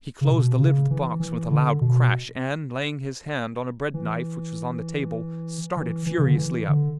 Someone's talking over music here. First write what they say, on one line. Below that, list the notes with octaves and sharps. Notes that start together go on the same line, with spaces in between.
He closed the lid of the box with a loud crash; and, laying his hand on a bread knife which was on the table, started furiously up.
C#3
B2
C#3
E3
E3
D3
B2
E3
E3
E3
C#3
D3
E3
D3